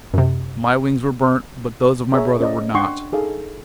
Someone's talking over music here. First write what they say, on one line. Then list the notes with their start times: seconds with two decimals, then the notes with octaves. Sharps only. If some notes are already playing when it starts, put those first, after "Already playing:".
My wings were burnt, but those of my brother were not....
0.14 F#2 C3
2.14 G#4 C#5 E5 A#5
2.40 C#4 C5 D5 D#5
2.74 D4 F#5 G5 C6 C#6
3.12 D#4 G#4 A4 F5